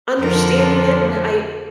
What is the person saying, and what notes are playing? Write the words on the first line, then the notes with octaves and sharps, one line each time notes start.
Understanding it and I
F2 D3 F3 A#4